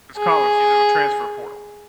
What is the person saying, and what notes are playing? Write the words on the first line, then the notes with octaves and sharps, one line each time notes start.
“this college; he's in the transfer portal."
G#4